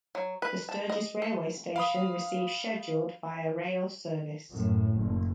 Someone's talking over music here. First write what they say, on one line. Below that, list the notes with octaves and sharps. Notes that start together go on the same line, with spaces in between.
The Sturgis railway station receives scheduled Via Rail service.
F#3
B4
A5
D#5
A4
F5 B5 D#6
F#2 A2
F#1